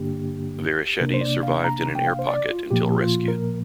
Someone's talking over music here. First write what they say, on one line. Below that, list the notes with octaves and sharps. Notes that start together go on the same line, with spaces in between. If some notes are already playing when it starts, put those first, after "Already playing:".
Varischetti survived in an air pocket until rescued.
Already playing: G2 D3 A#3 D4 G4
C3 A#3 D4 A#4
C5
D5
F5
A#5
G5
F5
C5
D5
F4
A#2 F3 A#3 G4
F4
A#4